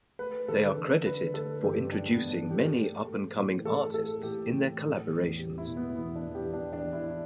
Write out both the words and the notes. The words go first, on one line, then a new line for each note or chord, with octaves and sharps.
They are credited for introducing many up and coming artists in their collaborations.
A3 B4
D3 A4
D3
D3 B4
A3 A4
G2 G4
A3 D4
B3
G2
D4
A3 G4
A3
A3
A2
A2 A4
A3 A4
A2 G4
A2
A3
E2
E2 G4
E4
B2
B3
E2 B3
D4
E2
G4
E2 D4
D4
E2
E4